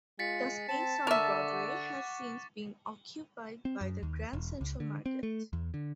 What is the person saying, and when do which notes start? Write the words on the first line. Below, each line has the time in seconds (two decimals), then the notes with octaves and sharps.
The space on Broadway has since been occupied by the Grand Central Market.
0.19 G#3 F4 A6 B6 C#7
0.69 C4 A5
1.07 D3 A#4 E5 C#6 D6 A6
1.49 F#5
3.65 C4
3.81 F#2
4.03 D#2
4.33 E1
4.61 C#2
4.80 D3
5.06 C4
5.23 A3
5.53 E2
5.74 D3